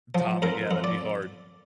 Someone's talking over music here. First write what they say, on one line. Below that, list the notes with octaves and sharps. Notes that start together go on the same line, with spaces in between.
Tommy, yeah, that'd be hard.
F3
F2 A#4
F2
D5